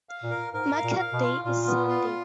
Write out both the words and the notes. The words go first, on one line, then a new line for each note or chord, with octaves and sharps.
Market day is Sunday.
F5
A#2
A#4
G#2 A#4
F5
A#2
F5
B2
F4
A#2 F4
B3
F4